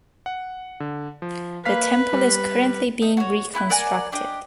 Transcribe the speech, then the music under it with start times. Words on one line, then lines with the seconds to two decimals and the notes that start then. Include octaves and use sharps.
The temple is currently being reconstructed.
0.26 F#5
0.80 D3
1.22 F3
1.66 A#3 B4 F5 B6
2.13 G3
3.02 D#4
3.17 F#4 C#5
3.54 B3 E4 C#6 F#6
3.69 A#4 D5 F#5 G#5
4.12 D4 G4 D#5